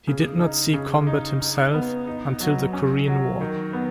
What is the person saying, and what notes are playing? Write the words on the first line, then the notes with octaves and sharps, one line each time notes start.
He did not see combat himself until the Korean War.
C#3
D#4
C#3
D#4
D#4
B3
D#4
F#3
C#4
F#3
D#3
B3